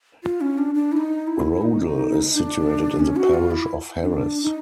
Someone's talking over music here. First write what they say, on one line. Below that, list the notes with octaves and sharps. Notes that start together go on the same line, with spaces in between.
Rodel is situated in the parish of Harris.
F4
C#4
D4
D4
E4
D#4
E4
D#4
D#4
D4
C#4
F#4
F4
E4
D#4
D4
D#4